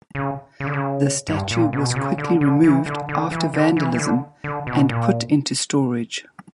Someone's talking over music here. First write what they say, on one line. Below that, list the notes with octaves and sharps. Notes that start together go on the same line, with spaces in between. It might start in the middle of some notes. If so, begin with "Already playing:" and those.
The statue was quickly removed after vandalism and put into storage.
C#3
C#3
D3
C#3
G2
A#2
B2
B2
C#3
D3
D3
E3
D3
D3
E3
D3
E3
E3
D3
D3
B2
A#2